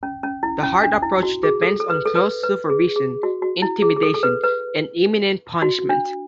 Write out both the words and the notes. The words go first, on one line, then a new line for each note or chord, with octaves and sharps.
The hard approach depends on close supervision, intimidation, and imminent punishment.
C#4
C#4
E4
C#4
D4
E4
F#4
G#4
A4
A4
B4
A4
B4
B4
G#4
G#4
F#4
F#4
E4
G#4
G#4
A4
A4
B4
B4
F#4
D4